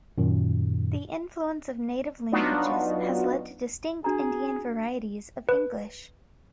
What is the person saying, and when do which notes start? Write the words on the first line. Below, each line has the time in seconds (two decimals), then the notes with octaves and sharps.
The influence of native languages has led to distinct Indian varieties of English.
0.18 F#2 A#2 D#3
2.32 F#3 B3 D4 D#4 F4 F#4
4.04 D4 F#4 G#4 A#5
5.49 B4